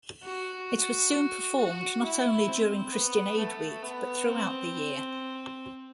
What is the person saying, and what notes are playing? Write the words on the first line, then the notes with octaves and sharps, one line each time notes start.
It was soon performed not only during Christian Aid Week but throughout the year.
F#4
F#4
E4
C4
B3
A3
B3
C4